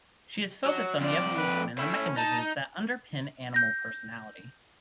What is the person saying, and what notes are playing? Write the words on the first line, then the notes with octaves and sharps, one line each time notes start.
She has focussed on the evolution of and mechanisms that underpin animal personality.
F#3
F2 F4 D5
B4
A2 C#4 E4
D#4 A5
G6 A#6